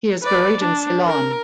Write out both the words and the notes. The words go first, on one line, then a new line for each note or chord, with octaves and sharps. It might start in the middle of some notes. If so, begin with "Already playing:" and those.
He is buried in Ceylon.
B4 D5
D4
A#4